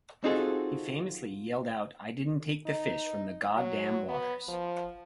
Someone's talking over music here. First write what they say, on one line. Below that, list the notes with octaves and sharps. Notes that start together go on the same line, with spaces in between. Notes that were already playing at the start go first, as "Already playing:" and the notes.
He famously yelled out I didn't take the fish from the God damned waters.
C4 D#4 F4 F#4 G#4 A4
D#4
F#3
B3
F3